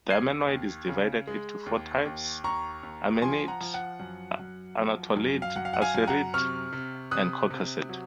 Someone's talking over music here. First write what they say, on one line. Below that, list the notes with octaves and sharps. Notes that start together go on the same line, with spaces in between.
The Armenoid is divided into four types: Armenid, Anatolid, Assyrid, and Caucasid.
D#2 G#6 C7
D#2
C#3
G#3
D#2
D#2
D#2 A#5 C#6
D#2
F3 G#5 C6
F#5 A#5
F3
F#5
F#2
F#2
F3
F#2
F5
F#2 F#5
F5
F#5
F5 G#5
F#2
F#5 A#5
C3 C#6 F6
C3
C3 D#6 F#6
C3
F#3